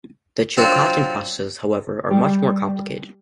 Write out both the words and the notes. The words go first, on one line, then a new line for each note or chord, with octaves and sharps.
The Chilcotin processes, however, are much more complicated.
F#3 C4 D4 F4 F#4
G3